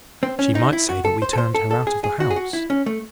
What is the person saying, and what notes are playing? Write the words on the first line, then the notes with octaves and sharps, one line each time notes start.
She might say that we turned her out of the house.
C4
C#4
D#4
E4
F#4
A4
C5
A4
C5
A4
A4
G#4
G#4
F#4
G#4
F#4
E4
C#4
A3